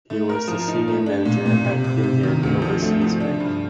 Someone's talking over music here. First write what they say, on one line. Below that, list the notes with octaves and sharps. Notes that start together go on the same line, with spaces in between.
He was the Senior Manager at Indian Overseas Bank.
A3
A#4
F3
D#4
A3
D4
A#2
A#2
C3
C3
C3
D#3
D2
F3
A3
F3
D4
G2